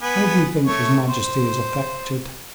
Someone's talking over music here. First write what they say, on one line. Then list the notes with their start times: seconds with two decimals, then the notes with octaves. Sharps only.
"How do you think his majesty is affected?"
0.02 B3 G#5 B5
0.66 A3 C#5
1.09 C5